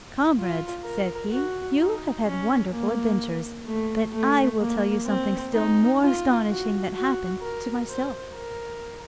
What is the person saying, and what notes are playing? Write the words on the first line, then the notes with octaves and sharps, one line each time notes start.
'Comrades,' said he, 'you have had wonderful adventures; but I will tell you something still more astonishing that happened to myself.
F4
A#4
F#4
D#4
C#4
A#3
A3
A3
A#3
C4
D#4
F4
F#4
F#4
A#4
C5
A#4